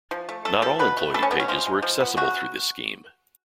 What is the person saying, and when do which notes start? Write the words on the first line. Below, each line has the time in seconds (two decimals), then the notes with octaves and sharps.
Not all employee pages were accessible through this scheme.
0.11 F3
0.29 A3
0.45 A3 A4
0.62 F3 A4
0.79 B2 B4
0.97 A3
1.14 A3 A4
1.23 C#4
1.31 B2 B3
1.40 C#4
1.48 F3 F4
1.66 G#3
1.82 F3
2.00 B3
2.17 C#3 F#4